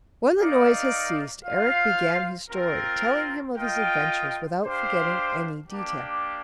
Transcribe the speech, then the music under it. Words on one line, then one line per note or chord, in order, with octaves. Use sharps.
When the noise had ceased, Erec began his story, telling him of his adventures, without forgetting any detail.
D#4 A#4 D5 F5
F4 C5 F5
C4 F4 A#4
F4 A#4 D#5 G5
D4 G4 C5 F5
A#3 D4 G4